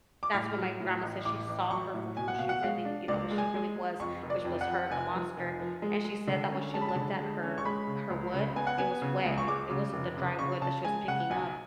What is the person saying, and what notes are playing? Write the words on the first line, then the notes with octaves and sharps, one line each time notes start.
that's when my grandma said she saw her for who she really you know, what she really was, which was her, the monster, and she said that when she looked at her her wood, it was wet, it wasn't the dry wood that she was picking up,
D6
A2 F6
F#3
A2
A1
A2 D6
A1
F#3 C#6
A2
B2 G#5
F#5
B2 F5
F#5
G#3 F5
D4
C#2 D5
G#3
G#5
G#3
G#3
F2 C#6
F1
D5
F2
F#5
F2
F1 G#5
F3
F1
F3
G#3
G#3
D3
C#4
G#3 A5
B5
A5
D3
G#3
C#4
C#6
G#3 B5
C#3
C#2
C#3
B3 G#5
F#5
B3 G#5
C#3
C#2
C#6
G#3 D6
C#3
F1
C#3
C#3 C#6
C#3 A5
G#3 G#5
C#3 F#5
B1 G#5